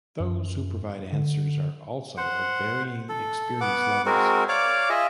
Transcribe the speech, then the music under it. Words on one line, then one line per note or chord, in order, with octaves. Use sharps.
Those who provide answers are also of varying experience levels.
F#2
D3
C5 F#5
A4
B3 F#5 D6
G#3 C4 F#4 A#4
C#5 D5 F5 D6
F4 G#4 D#5 E5